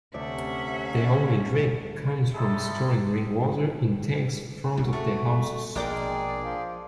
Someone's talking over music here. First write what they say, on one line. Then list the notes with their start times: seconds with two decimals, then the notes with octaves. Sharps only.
Their only drink comes from storing rain water in tanks front of their houses.
0.14 D2 C3 C#4 D5 E5 F#5
2.34 A2 G3 G#3 D#4 E4 A4
4.77 C2 F2 B2 F#4
4.93 C3 A3
5.75 A#1 B2 G#3 D4 G#4 A#4 D5 G5
6.40 F3